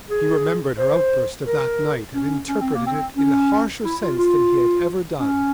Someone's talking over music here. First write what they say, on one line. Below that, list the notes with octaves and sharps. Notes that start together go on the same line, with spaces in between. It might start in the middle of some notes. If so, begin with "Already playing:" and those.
He remembered her outburst of that night and interpreted it in a harsher sense than he had ever done.
G#4
C5
A#4
C#4
C#4
C4
A#3
C4
C#4
E4
F4
F4
C#4